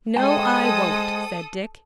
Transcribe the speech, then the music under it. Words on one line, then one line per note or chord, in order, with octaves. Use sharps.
"No, I won't," said Dick.
G#3 A4 C5 G5 D#6